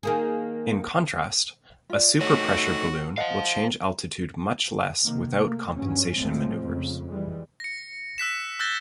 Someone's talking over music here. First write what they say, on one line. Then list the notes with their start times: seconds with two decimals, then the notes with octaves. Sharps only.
In contrast, a superpressure balloon will change altitude much less without compensation maneuvers.
0.03 D#3 A#3 G#4
1.90 F4 D5
2.21 A3 D#4 F#4 C#5
3.17 C5 D#5 F5 F#5 A5
5.04 C3 D#3 A#3
5.39 A3 A#3
5.76 G2 F#3 C#4
6.17 A2 F3 G#3 A3 C4
6.66 F2 C#3
7.09 E3 G3 G#3
7.60 A#6 C#7
8.18 E6 F#6 B6 E7
8.59 E6 F#6 G6 A6 A#6 G7